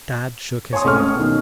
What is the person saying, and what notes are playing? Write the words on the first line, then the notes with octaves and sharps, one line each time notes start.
Tad shook his head.
C#5 G#5 C6 D#6
C#2 A3 C#4 A4 C#6 F6
B2 D#3